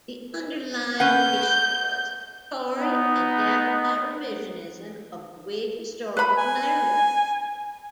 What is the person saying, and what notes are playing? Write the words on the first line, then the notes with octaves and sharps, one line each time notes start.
The underlying issue was Tory and Jacobite revisionism of the Whig historical narrative.
C#4 B4 F#5 G6
B3 D#4
B4 B5
G#5